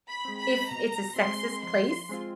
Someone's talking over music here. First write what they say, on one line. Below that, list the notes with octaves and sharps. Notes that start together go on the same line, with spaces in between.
if it's a sexist place
B5
G#3 C4
B5
B2 A#5
G#3 C4 C6
F3 C6
G#3 C4 F4